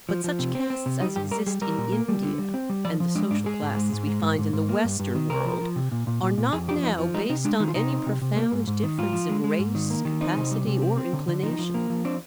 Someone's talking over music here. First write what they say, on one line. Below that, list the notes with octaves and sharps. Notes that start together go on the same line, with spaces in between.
But such castes as exist in India, and the social classes we find in the western world, are not now based on any profound difference in race, capacity, or inclination.
F3
F3
C3
C4
C4
C3
G3 D#4
G2 G4
G3 A#4
G3 G#4
G3 A#4
A#2
A#3
G3
D3
G3
C4
G3
F3 D5
F3
G#3 D4
G#2 D4
G#3 G#4
G#2
G#3
G#2
G#3
G#2
G#2
G#2
A#3
G2
G2
D#3
C3 A#4
F3
F3
C3
A#2
A#2
A#2
A#2
F2 G#4
F3 G4
F2 D#4
F3
G#3 D#4
C3 D#4
G#3 D4
D#3 D#4
F4
C3 D#4
C4
C3
C3
A#3
G#2
G#2
D#3
G#2 F4
F3
G#3
G#3
G#2
D#3
A#3
D#3
C4 D#4
C3
G3
C3
C4
C4
D3
D3
F3 D#4
F3
A#3
F3
C4 D4